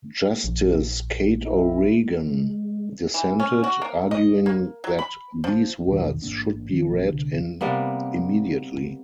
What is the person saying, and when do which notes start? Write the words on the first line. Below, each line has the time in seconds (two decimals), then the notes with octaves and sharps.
Justice Kate O'Regan dissented, arguing that these words should be read in immediately.
0.44 A#1
1.45 E4
2.31 G#3
3.14 E3
3.40 C#4
3.64 F#4
3.82 A#3
4.11 D#5
4.46 A#3
4.84 F#3
4.99 B5
5.44 F3
5.87 B1 E2 A2 D#3
6.22 A1 G#2 A#3 D4
6.70 D#3
6.89 A#1 F3 A#3
7.08 C2 D3
7.61 C3 G3 A#3 B3